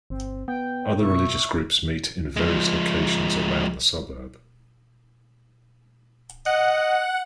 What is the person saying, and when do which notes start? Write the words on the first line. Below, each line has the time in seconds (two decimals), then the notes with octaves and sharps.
Other religious groups meet in various locations around the suburb.
0.10 G1 C4
0.48 B3 G5
1.01 B2 E5 C#6
2.36 F3 G#3
6.46 D#5 F#5